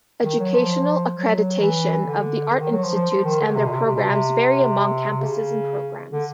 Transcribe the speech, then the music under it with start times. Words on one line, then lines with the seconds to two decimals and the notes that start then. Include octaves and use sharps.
Educational accreditation of The Art Institutes and their programs varies among campuses and programs.
0.23 D#3
0.39 F#3
0.54 F3
1.14 F#3
1.59 E3
2.05 D3
2.50 D3
2.61 D#3
2.72 F#3
2.83 F3
2.95 F3
3.10 F3
3.25 D#3
3.40 D3
3.55 C3
3.65 B2
3.70 C3
3.85 C3
3.95 B2
4.04 C3
5.10 C3
5.21 C#3
6.11 D3